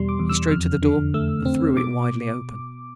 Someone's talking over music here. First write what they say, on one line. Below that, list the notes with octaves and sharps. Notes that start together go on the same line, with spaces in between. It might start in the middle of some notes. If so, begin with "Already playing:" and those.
He strode to the door--and threw it widely open.
Already playing: E2 B2 G3 C6
D6
E2
E6
F2 F6
D3
A3 E6
C4
B2 D6